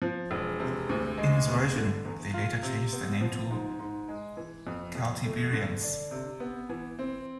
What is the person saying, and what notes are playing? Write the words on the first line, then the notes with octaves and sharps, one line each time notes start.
In his version, they later changed their name to 'Celtiberians'.
F3
E1
C3
D2
G#3
F1
D3
E2
F4
C3
B3
F3
G#2
G#2
G#3
E3
F2
F2
A3
D3
D4
C3
B3
E3
C4